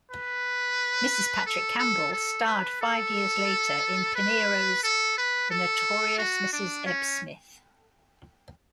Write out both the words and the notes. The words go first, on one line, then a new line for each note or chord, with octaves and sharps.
Mrs Patrick Campbell starred five years later in Pinero's "The Notorious Mrs. Ebbsmith".
B4
A4
A4
A4
B4
A4
B4
A4
B4
A4
F#4
D4
C#4